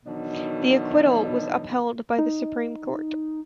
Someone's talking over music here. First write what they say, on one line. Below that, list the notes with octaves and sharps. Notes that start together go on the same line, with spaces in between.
The acquittal was upheld by the Supreme Court.
B2 D#3 E3 F#3 D4 D#4
D#4